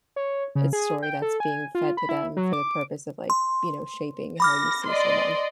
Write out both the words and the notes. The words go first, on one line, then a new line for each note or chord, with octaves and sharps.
a story that's being fed to them for the purpose of, like, you know, shaping how you see someone.
C#5
C#3
G#4
G5
A4
G#5
F4
B5
E4
F#3
D6
C6
B5 D6 F6 A#6
D5 D#5 C6